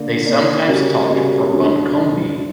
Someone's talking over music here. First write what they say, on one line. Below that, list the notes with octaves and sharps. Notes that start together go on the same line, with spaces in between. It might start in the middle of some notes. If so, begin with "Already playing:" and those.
They sometimes talked for Buncombe.
Already playing: D3 A#3 D4 A#4
D3 A#3 D4 A#4
C#3 G3 C#4 F#4 A#4
C#3 G3 C#4 F#4 A#4
D2 D3 F#3